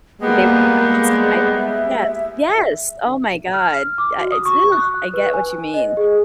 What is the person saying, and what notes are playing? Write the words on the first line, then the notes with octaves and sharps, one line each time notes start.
They were stuck outside of it Yes, yes! Oh my god. I I ooh, I get what you mean.
G3 G#3 A#3 B3
E5
F6
D6
F#4
D#6
C#6
F#6
B4
G#5
D#5
G#4